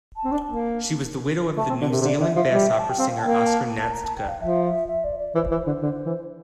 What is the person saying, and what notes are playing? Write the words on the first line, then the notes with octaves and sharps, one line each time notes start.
She was the widow of the New Zealand bass opera singer Oscar Natzka.
A5
C4
D4
A#3
A3 A5
C4
D3
C3 A#4
C3
D3 D5
D3 E5
F3 E5
G3
A5
G5
C4 F5
A5
A#3 G5
A5
A5
A#5
A5
G5
F5
F3 E5
E5
E5
D5
D5
E3 C5
E3
D3
D3
E3